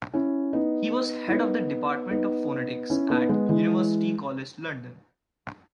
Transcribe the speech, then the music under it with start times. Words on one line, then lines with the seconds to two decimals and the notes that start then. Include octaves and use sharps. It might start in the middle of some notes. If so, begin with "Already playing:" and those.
He was head of the Department of Phonetics at University College, London.
0.14 C#4 E4
0.53 B3 D#4
1.28 E4
1.32 B3 D#4
2.11 B3 D#4
2.90 C#4 E4
3.10 B3 D#4
3.29 G#3 B3
3.49 E3 G#3